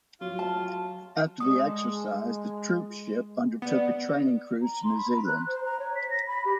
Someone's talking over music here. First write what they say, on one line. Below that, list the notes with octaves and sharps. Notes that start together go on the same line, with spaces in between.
After the exercise, the troopship undertook a training cruise to New Zealand.
F#3 F4
A5
G#3 D#4 F#4 A4 D#6
F#3 G3 B3
A#5
C6
B5
A#5
F#6
C5
A#5
C#5
B6
A#6
B5
G4